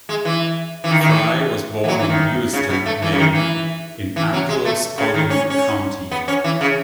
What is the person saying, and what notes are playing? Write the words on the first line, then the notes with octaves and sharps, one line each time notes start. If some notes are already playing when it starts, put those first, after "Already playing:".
Frye was born in Lewiston, Maine, in Androscoggin County.
G#3
E3
E3
D#3
D#3
E3
E3
F#3
E3
D#3
C#3
B2
A3
E3
C#3
D#3
E3
E3
F#3
G#3
A3
C#3
D#3
C#4
C#4
B3
C#4
E3
C#3